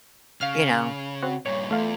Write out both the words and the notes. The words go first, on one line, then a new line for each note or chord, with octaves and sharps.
You know,
C#3 F5 F6
C4 F#4
G2 A#2 C#5
E2 A3 F4